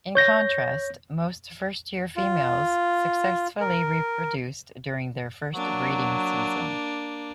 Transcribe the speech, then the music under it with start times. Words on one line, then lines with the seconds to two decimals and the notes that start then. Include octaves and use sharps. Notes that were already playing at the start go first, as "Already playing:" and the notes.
In contrast, most first-year females successfully reproduce during their first breeding season.
0.15 C#5 G6 A#6
2.16 F4
3.61 A#4
5.54 F#3 A#3 D4